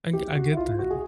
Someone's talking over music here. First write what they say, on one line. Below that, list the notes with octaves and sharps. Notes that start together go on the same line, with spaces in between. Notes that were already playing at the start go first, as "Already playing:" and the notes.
I I get that.
G4
F#4
E4
F4
F#4
G#4